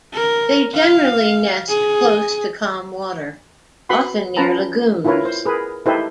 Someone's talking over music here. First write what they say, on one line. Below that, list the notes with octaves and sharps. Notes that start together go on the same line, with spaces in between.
They generally nest close to calm water, often near lagoons.
A#4
F5
G#4
F#4 B4 F#5 B5 C6
C#4 F4 B4 A5 A#5
E4 F4 A#4 B4 C#5
C5
G#4 A#4 B4
D#4 E4 G4 A4 B4 C5